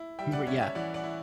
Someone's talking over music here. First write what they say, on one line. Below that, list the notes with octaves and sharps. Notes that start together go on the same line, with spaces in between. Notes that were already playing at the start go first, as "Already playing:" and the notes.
M great, yeah.
Already playing: E4
G3 E5 G5
D5 F#5
C#4 C#5 E5
C#5 E5
E3 D5 F#5
D5 F#5
E4